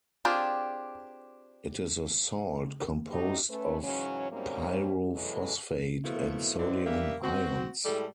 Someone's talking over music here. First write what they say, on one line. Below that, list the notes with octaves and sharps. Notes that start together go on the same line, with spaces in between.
It is a salt composed of pyrophosphate and sodium ions.
C4 D4 F4 G4 G#4
F#3 G3 A3 D#4 F#4 G4
A3 C#4 B4
G#2 C#3 E3 F#3 C#4
G#2 F#3 G3 A#3 C4 C#4
B2 E3 F#3 G#3 A4
B2 F3 A3 A#3 E4
F#2 B2 C4 E4 D5
G2 G3 A#3 B3 E5
C4 F#4
A2 G3 G#3 A4